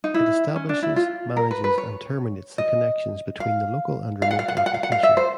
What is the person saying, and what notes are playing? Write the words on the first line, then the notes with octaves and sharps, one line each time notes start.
It establishes, manages and terminates the connections between the local and remote application.
D#4
E4
C#4
D4
E4
F4
A#4
B4
B4
C#5
D#5
F5
F5
F#5
F5
F#5
F5
F#5
F5
F#5
F5
E5
C5